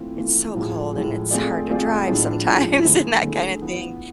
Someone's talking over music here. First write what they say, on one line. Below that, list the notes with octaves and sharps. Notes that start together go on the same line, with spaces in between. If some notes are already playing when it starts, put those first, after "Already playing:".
it's so cold and it's hard to drive sometimes and that kinda thing.
Already playing: E3 A3 C4 F4
E3 A3 C4 F4
A2 F3 G#3
A2 F3 G#3
A3 C4 F4 G#4 D5
A3 C4 F4 G#4 D5
A2 F3 G#3 D4
A2 F3 G#3 D4
D3 A3 E4 G#4 C5
D3 A3 E4 G#4 C5
E3 B3 F4